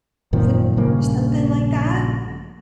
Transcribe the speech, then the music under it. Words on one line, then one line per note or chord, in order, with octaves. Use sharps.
Would you do something like that? Mm.
F#2 A#2 D#3 F3
A#1 G2 C#3 A#3